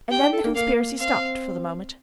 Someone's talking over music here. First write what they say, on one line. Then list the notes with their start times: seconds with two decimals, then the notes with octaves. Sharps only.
And then the conspiracy stopped for the moment.
0.11 G4 G5
0.22 D4
0.33 A4
0.44 A#3
0.55 A#3 F5
1.00 C4 F5